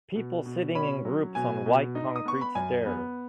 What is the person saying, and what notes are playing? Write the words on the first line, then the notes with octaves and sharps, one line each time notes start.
People sitting in groups on white concrete stairs.
B2
B2
C#4 B5
F#3
B2 G#5
B2
D#4
D#6
B3 C#6
B5
F#2 G#5
B3